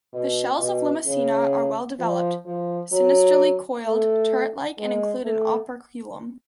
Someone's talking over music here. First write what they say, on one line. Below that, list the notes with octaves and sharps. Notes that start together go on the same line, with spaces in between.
The shells of "Limacina" are well developed, sinistrally coiled, turret-like, and include an operculum.
B2
B2
C#3
F3
F3
F#3
A3
G#3
A3